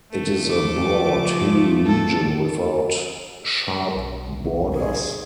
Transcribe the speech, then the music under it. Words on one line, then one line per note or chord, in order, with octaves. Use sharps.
It is a broad hilly region without sharp borders.
A3
F3 D6
A4
B1
G#4